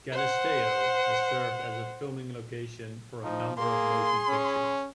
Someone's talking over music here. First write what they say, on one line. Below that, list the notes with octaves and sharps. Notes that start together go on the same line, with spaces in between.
Galisteo has served as a filming location for a number of motion pictures.
C5 F#5
F3 D#4
A#3 G#4 C6
C#4